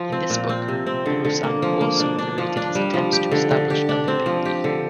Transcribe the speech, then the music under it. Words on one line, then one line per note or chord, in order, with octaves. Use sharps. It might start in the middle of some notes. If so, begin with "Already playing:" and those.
In this book, Bulosan also narrated his attempts to establish a labor union.
Already playing: F3
C4
A#2
C4
C3
C4
D3
D3
A#3
F3
A#3
D4
D4
F3
D4
G3
F3
G4
D3
D3
G4
D4
C4
F3
G4
D3